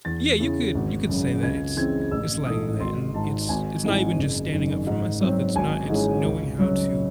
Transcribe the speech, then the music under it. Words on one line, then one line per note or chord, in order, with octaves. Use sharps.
Yeah, you could you could say that. It's it's like that, and it's it's not even just standing up for myself. It's not it's knowing how to
E2 A6
C#3 E3
G#1
F#2 C#3
C#2 G#6
C#3 E3 G#3 C4 G#6
A1 E6
G#2 E3 A3 D#6
G#1 C6
G#2 D#3 A5
G#1 G#5
G#2 E3 C4
F#1
F#2 D#3
G#2
F#3 C4
G#1 G#5
G#2 E3 G#3 C#4
C#2
C#3 F#3